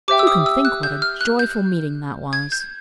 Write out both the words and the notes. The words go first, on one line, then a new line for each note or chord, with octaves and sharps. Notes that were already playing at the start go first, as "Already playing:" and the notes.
You can think what a joyful meeting that was!
G4 C5 E5 G5 D6
E6
D#6
E6
F#6
G6
F6
F#6
G6
G#6
G6